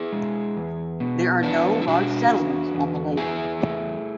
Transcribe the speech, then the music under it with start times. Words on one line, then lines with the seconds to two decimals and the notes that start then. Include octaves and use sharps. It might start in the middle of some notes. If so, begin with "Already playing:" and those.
There are no large settlements on the lake.
Already playing: E4 G#4
0.13 G#3
0.57 E2
1.00 B2
1.43 E2 B3 D4
1.81 E4
1.87 B2 D4 F#4
2.30 E2
2.74 E2
3.17 E2 E4 G#4
3.60 A3